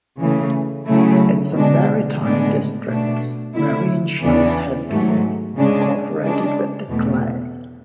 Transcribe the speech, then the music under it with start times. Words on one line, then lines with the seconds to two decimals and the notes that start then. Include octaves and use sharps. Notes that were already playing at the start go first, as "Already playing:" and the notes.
In some maritime districts, marine shells have been incorporated with the clay.
0.21 C#3 E3 A3
0.88 C#3 F#3 A3 E4
1.54 B2 G#3 D4
2.21 A2 G#3 B3 D4
2.88 B2 A3 D4
3.55 D3 A3 E4
4.22 E2 C#3 E3 B3 D4
4.89 G#2 F#3 A3
5.56 C#3 G#3 D4
6.22 C#3 G#3 D4
6.90 E2 B2 A3